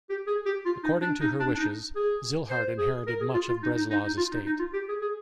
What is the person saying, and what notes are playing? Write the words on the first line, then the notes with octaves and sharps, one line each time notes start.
According to her wishes, Zillhardt inherited much of Breslau's estate.
G4
G#4
G4
F4
D#4
D4
D#4
D4
D4
D#4
G#4
C5
G#4
A#4
G#4
F4
F4
D#4
D#4
D#4
D#4
F4
D#4
D#4
F4
G4
G#4
G#4